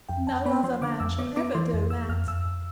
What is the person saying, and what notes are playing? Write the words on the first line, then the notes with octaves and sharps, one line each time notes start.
"No other man shall ever do that."
F2 G5
F2 A5
B3 B5
F3 C6
D3 D6
F2 E6
B3 D6
B3 D6
E3 C6
F2
F2 E6
F2 F6
F2 E6
F2